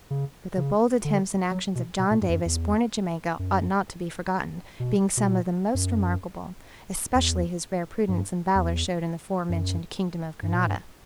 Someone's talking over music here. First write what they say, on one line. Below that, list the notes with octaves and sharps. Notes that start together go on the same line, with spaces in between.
But the bold attempts and actions of John Davis, born at Jamaica, ought not to be forgotten, being some of the most remarkable; especially his rare prudence and valour showed in the fore-mentioned kingdom of Granada.
C#3
C#3
D3
F#3
B2
B2
A#2
G2
E2
F#2
E2
F#2
B2
B2
A#2
F#2
E2
G2
E2
F#2
G2
A#2
G2